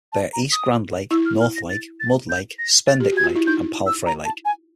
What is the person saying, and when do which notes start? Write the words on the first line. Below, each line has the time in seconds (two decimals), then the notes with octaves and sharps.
They are East Grand Lake, North Lake, Mud Lake, Spednic Lake, and Palfrey Lake.
0.12 A5
0.33 A#5
0.52 D#6
1.11 E4 E6
1.26 F6
1.41 F6
1.56 A#6
1.69 A6
2.00 A6
2.29 G6
2.59 A#6
2.87 A6
3.00 G4
3.12 F#4
3.17 G#6
3.23 F4
3.36 E4
3.47 D#4 G6
3.86 E6
4.06 A#5
4.25 A5
4.45 G#5